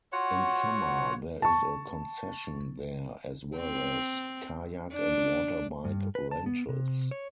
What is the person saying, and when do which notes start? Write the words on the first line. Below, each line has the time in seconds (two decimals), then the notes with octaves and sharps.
In summer, there is a concession there as well as, kayak-and-water-bike rentals.
0.12 F4 F#4 C#5 F#5
1.42 A5 C#6
3.57 C4
4.94 D4
5.85 G2
6.15 B4
6.31 A5
6.46 B3
6.69 C3
7.11 C#5